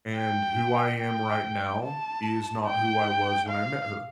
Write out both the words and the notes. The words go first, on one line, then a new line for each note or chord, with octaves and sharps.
and who I am right now, is not who I was when I met her.
G5
G5
A5
G5
F5